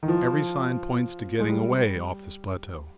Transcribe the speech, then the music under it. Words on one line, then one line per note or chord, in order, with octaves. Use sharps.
Every sign points to getting away off this plateau.
D#3
F3
G#3
G3